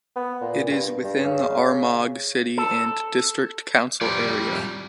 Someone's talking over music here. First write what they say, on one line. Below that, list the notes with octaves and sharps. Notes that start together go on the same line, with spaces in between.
It is within the Armagh City and District Council area.
B3
A#2
G2
G2
C#3
A4
F2 G3 F4 D5